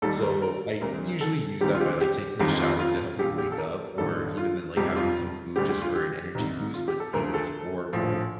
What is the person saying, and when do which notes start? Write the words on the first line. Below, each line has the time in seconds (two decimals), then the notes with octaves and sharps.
So I usually use that by, like, taking a shower to help me wake up or even then, like, having some food just for an energy boost, but it was horrible.
0.02 D#2 D#3 G3 A4
0.22 A#4
0.42 A#4
0.81 D2 C3 G3 A#4
1.21 A4
1.60 D2 C3 D#3 G3 G4
1.74 F4
1.81 G4
2.01 G4
2.39 G1 F2 D#3 G4
2.60 F4
2.79 F4
3.19 A#1 A#2 G3 G4
3.38 G4
3.52 A4
3.58 A#4
3.97 A1 G2 D#3 G3 A4
4.37 F4
4.76 F2 C3 G3 G4
4.97 F4
5.56 D2 D3 G3 G4
5.69 G4
5.82 F4
5.95 G4
6.35 C2 C3 D#3 G3
6.74 F4
6.88 G4
7.00 A4
7.13 D2 D3 F3 A#4
7.34 A4
7.93 A#1 A2 F3